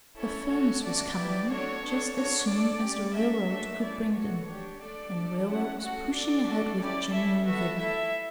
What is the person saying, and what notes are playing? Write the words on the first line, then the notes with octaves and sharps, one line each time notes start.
A furnace was coming in just as soon as the railroad could bring it in, and the railroad was pushing ahead with genuine vigor.
C#4 E4 A4 C#5
C#4 F#4 A4
A3 D4 F#4 D5
B3 E4 G4
D4 F#4 A4 C#5
B3 D4 A4
D4 F#4 A4 C#5
D4 A4 D5
C#4 G4
C#4 F#4 A4 E5
A3 D4 F#4 A4
A3 C#4 E4 D5
B3 F#4 A4 C#5
D4 G4
A3 D4 A4 D5
A3 D4 A4
C#4 E4 A4 F#5
A3 C#4 F#4 A4 F#5
D4 A4 D5
D4 F#4 A4
C#4 E4 G4 D5
C#4 E4 A4 E5
B3 F#4 A4 E5
A3 E4 A4 E5